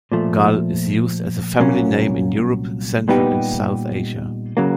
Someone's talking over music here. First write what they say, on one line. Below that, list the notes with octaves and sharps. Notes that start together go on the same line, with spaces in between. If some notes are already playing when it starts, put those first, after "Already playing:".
Gul is used as a family name in Europe, Central and South Asia.
A#2 F3 A3
C2 A#2 F#3 A#3 C#4
A#2 G3 B3 D#4 G4
C#3 F#3 A#3